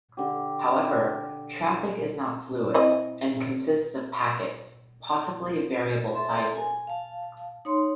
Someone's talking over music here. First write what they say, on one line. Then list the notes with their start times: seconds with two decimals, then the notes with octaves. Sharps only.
However, traffic is not fluid and consists of packets, possibly of variable sizes.
0.17 D3 G4
2.74 C4 E4 D#5
6.14 A4 E5 C6
6.55 G#5
6.87 F5 A5
7.65 D#4 C#5 C6